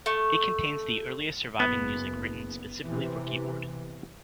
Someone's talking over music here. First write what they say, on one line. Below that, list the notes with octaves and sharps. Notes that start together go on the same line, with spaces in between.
It contains the earliest surviving music written specifically for keyboard.
A3
F#1 B3
C3 E3